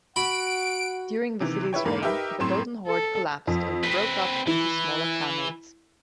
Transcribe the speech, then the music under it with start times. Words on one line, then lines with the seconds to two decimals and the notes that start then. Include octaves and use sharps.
During Vasily's reign the Golden Horde collapsed and broke up into smaller Khanates.
0.16 F#4 F#5 B5 D7
1.40 C3 D#3 E3
1.73 E4 B4 C#5 G5
1.85 E2 G#2 A#3 B5
2.02 D#4 G4 A#4 B4 E5 G5
2.40 F#2 A2 C4 C6 E7
2.87 A4
3.47 F2
3.83 C4 B4 B6
4.47 E3 E4